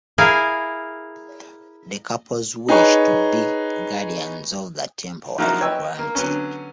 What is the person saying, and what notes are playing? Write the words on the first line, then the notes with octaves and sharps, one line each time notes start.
The couple's wish to be guardians of the temple was granted.
E4 G#4 A#4 F5
D#4 G#4 B4 C#5
F3 F#3 A#3 D#4 E4 F#4
B4 C#5 D#5 G5 E6
A#3
D3 F#3 B3 C#4